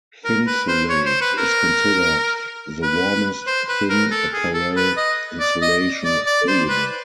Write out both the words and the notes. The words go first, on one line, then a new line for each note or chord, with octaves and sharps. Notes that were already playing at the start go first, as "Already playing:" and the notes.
Thinsulate is considered "the warmest thin apparel insulation" available.
A#4
B4
C5
C#5
C5
B4
A#4
B4
C5
B4
A#4
A4
G#4
A4
B4
D#5
D5
D#5
D5
D5
C5
B4